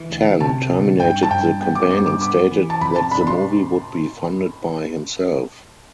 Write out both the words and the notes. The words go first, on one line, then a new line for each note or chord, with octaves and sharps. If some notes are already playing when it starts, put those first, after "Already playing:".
Tan terminated the campaign and stated that the movie would be funded by himself.
Already playing: E3
D2
C3 A5
D2
G2 G5
A5
G2 G5
B3 G5
D6
G2 D6
D6
B3 D6
E3
A5
F2 B5
A5
D4 B5
C6